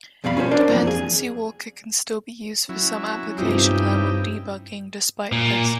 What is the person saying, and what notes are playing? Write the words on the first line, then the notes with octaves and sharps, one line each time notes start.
Dependency Walker can still be used for some application level debugging despite this.
F2 B2 G3 F5 B5
C#4 F4 A4 C5 C#5
D4 A#4 C5 D5 A5
F#2 E3 F3 A#3 C4
F2 G#4
F#3 C#4 E4
G2 C3 F3 C4 D#4 E4 G4
A#2